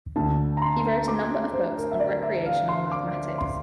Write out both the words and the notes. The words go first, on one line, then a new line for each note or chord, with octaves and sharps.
He wrote a number of books on recreational mathematics.
D2 D3 A5
A#5
C6
D6
C5
A#4
E5
D5
E5
F5
C6
D6
C6